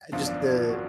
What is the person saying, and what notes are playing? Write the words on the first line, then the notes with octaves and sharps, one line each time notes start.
uh, just the
G#1 F#2 F3 B3 D4 F5
D5
D5
F4
F#4